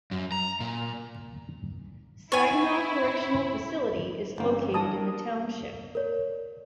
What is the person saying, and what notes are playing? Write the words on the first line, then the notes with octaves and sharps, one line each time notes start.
Saginaw Correctional Facility is located in the township.
F#2
A#5
A#2
E4 C#5 G#5
G1 E3 A#3 C4 C#4
G3 D4 A#4 A5 D#6
A#4 C#5 D5